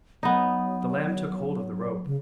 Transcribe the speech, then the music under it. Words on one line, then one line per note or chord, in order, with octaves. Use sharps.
The lamb took hold of the rope.
F#3 B3 D#4
C#3